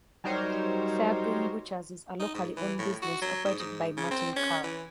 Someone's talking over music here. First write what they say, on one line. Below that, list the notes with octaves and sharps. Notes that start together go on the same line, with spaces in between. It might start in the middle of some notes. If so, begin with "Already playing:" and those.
Fairgreen butchers is a locally owned business operated by Martin Carroll.
F#3 G3 D#4 A#4 C5 C#5
D#4
G#2
E3
A2
F#4
F#3
G#2
G#2
C#3
C4
C#4
E3